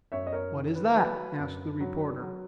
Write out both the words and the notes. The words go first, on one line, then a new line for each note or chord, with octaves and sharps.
"What is that?" asked the reporter.
F#2 C#5 E5
D#5
A#4 C#5
D#3
B4
F#3 B4
F#2
F#3
F#3